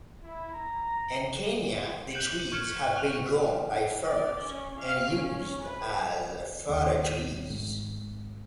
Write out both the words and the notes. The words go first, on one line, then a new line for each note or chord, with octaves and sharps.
In Kenya the trees have been grown by farmers and used as fodder trees.
E4
A#5
F#6 G6 C#7 E7 F#7
C#6 F6 G#6 C#7 E7
C#6 F#6 F7
D5
C#4
F5
C#4
B4
D#2
G#1